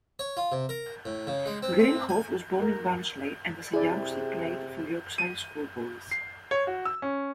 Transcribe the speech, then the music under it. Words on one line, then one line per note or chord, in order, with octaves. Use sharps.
Greenhoff was born in Barnsley, and as a youngster played for Yorkshire Schoolboys.
C#5
F4
C3
A#4
A2
C#3
G#3
C4
C4
G#5
A#4
C3 E4 G#4 D5
D#7
C7
C#5
F#4
E6
C#4